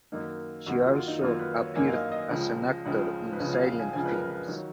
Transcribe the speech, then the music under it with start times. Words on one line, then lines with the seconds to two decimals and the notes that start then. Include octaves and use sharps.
She also appeared as an actor in silent films.
0.12 F#2 D#3 A#3 D#4
0.66 F#2 D#3 A#3 F#4
0.81 F4
0.93 F4
1.07 D#4
1.21 F#2 D#3 A#3 F4
1.39 B4
1.57 C#5
1.75 F#2 D#3 A#3 G#5
1.88 F5
1.93 D#5
2.12 D#5
2.30 C#2 C#3 F3
2.85 C#2 C#3 F3
3.33 B4
3.39 C#2 C#3 F3 C#5
3.53 F5
3.66 F5
3.79 G#5
3.93 C#2 C#3 F3 G#5
4.06 B4
4.11 A#4
4.30 B4
4.48 D#3 F#3 C#5